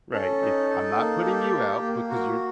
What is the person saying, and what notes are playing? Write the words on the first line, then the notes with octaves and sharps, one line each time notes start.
Right, yeah, "I'm not putting you out because you're"
C#4 A4
D#4
D#4
A#3
G4
A#3
A#3
F#4 A#4